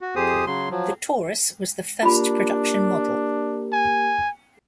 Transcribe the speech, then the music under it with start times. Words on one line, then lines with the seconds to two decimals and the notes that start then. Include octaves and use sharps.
The "Taurus" was the first production model.
0.01 F#4
0.16 F2 G4 G#4 C5 D#6
0.47 C#3 F#3 C6
0.70 F3 F#3
2.03 A#3 D4 F4 G4 A#4 B5
3.73 G#5